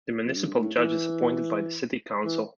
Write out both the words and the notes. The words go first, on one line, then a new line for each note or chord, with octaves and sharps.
The Municipal Judge is appointed by the City Council.
F2
G2
A2
E3
E3